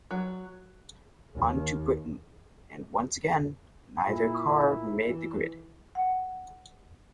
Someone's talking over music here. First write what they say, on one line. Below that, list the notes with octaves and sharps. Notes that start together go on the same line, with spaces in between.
On to Britain and once again neither car made the grid.
F#3
D#2
A#2 E4
E3
F#5